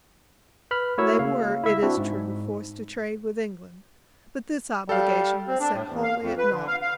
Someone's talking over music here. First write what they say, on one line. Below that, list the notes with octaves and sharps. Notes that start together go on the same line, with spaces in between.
They were, it is true, forced to trade with England, but this obligation was set wholly at naught.
B4 B5 F6
A3 E4 F#4 A#4 C#5 E6
C#3 A#3 F5
E4 E5
C4 D4 E4 F#4
G#2
G3 A4 F5
C4
D4
A2
E2
F5
F2
B4
D3
F5
F5